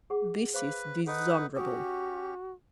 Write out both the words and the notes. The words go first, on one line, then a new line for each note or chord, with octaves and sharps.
This is dishonourable!
G#4 F#5 D6
B4 C5 F5 D6
D#4 A4 B4 D#5 F#5
C#4 F#4 G4 G#5 D6 D#6